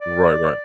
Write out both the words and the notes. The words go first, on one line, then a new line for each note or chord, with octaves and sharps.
Right, right.
D5